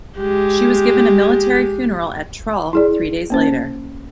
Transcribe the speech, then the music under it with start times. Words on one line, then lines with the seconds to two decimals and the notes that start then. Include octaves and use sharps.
She was given a military funeral at Trull three days later.
0.17 G#3 G4
2.73 E4 G#4 D5
3.30 A#3 C#4 C5